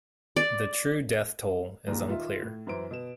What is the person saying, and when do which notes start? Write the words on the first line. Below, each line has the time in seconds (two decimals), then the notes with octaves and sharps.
The true death toll is unclear.
0.36 D5
1.87 A#1 D#2 A#2 G#4 A#5
2.09 D#3 F4 E5
2.43 A2
2.67 F#2 E3 C5 D7
2.91 B2 E7